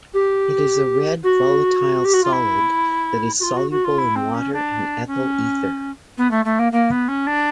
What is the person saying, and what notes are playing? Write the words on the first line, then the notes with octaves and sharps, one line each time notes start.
It is a red volatile solid that is soluble in water and ethyl ether.
G4
F#4
G4
F#4
F4
E4
F#4
F4
F#4
F#4
F4
E4
C4
C#4
D4
C#4
B3
A3
A3
A#3
A#3
B3
C#4
D4